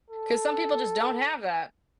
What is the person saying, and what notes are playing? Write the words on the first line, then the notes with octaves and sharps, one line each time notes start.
'cause some people, just, don't have that.
A4